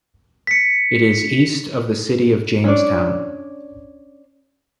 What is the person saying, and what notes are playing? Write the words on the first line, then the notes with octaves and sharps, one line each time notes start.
It is east of the city of Jamestown.
B6 C#7
C#4 D4 D5